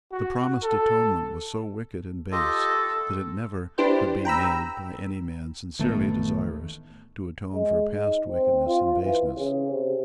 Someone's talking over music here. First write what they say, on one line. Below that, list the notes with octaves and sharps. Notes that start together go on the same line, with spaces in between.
The promised atonement was so wicked and base that it never could be made by any man sincerely desirous to atone for past wickedness and baseness.
F#4
A4
F4 G4 A4 D#5
D4 E4 G4 B4 C5
G5 A#5 B5 E6
A1 D#3 A3 B3
G#3
D#4
C4
F4
E3
C#3
C3